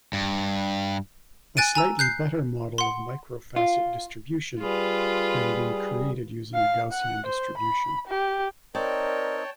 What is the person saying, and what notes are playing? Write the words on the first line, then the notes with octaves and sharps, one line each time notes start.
A slightly better model of microfacet distribution can be created using a Gaussian distribution.
G2
G#5 F#6 A6 D7 D#7
G#5 A#5 E6
F#6 G6 C7
F#5 C6
F4
G3 F4 G#4 B4
F5
F#5
C5
B5
G4
C4 D#4 A#4 C#5 D5 G5 A5